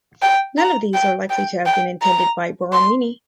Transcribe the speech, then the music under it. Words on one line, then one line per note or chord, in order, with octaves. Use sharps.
None of these are likely to have been intended by Borromini.
G5
A#5
G5
G5
G5
A#5
C6